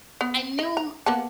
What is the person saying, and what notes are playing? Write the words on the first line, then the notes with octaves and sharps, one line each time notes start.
I knew him
B3
D#5
A#5
A#3 B3 A5